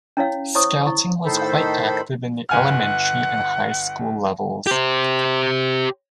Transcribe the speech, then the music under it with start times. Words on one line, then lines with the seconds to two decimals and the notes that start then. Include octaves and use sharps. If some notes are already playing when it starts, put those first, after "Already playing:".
Scouting was quite active in the elementary and high school levels.
0.17 C#4 E4 C#5 F5
0.55 E4 C5 C#5 C#6 D#6
0.86 E4 C#6
1.26 A2 D#3 D#4 A4 C5 B5
2.49 G1 F#5 G#5 F6
4.67 G4 C5